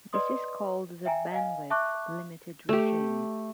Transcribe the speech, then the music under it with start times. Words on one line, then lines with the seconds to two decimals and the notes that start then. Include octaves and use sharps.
This is called the "bandwidth-limited regime".
0.13 B4 D5 D#5 C6 D#6
1.05 E5 G5 G#5 A#5
1.32 D#5 F5 G#5
1.70 E5 A5 C#6 D6 F#6
2.69 A3 G4